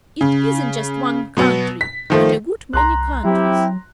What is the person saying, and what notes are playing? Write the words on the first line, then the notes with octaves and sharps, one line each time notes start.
"It isn't just one country, but a good many countries."
C#3
B2 F#3 B3
B6
D#3 F3 A3
C2 A#5 C6 F#6
F#3 C4 E4 G4